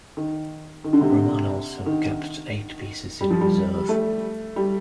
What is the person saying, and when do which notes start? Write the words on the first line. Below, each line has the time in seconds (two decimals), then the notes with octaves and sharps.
Roman also kept eight pieces in reserve.
0.17 D#3
0.84 D#3
0.93 D3
1.01 C3
1.10 D3
1.86 D#3
3.21 G3
3.30 F3
3.41 G3
3.89 A3
4.56 G3